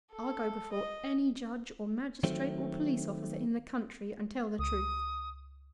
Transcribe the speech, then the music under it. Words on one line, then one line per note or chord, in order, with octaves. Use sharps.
I'll go before any judge, or magistrate, or police-officer in the country, and tell the truth.
A4
D#5
D#3 F#3 A3 C4
C#2 D#6